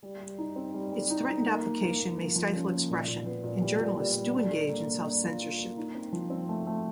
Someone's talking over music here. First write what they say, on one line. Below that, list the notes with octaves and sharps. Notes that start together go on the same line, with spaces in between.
Its threatened application may stifle expression and journalists do engage in self-censorship.
G3
G3
D#4
C4
G3
G3
D#4
D#4
A#3
A#3
A#3
A#3
F3
F3
C#4
A#3
A#2
A#2
B3
A#2
G3
A#2
G3
G3
D4
A4
A#3
A#3
D4
F4
F4
A#3
D#4
C4
F3
C4
A3
A3